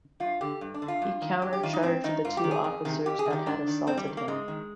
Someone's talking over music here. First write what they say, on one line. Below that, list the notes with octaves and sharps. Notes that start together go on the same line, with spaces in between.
He counter-charged the two officers that had assaulted him.
G2 F4
D3 G4
G2
D4
D3
F4
G2
D#3
G2 G4
G4
D#3 F4
D#4
G#2 C4
D#3 D#4
G#2 F4
G4
D#3
G#4
F2
C3 D#3
F2 G4
G#4
C3
D#3 G4
G#2 D4
D#3
G#2 C4
G3
D#3
A#3
G#2 G#3
D#3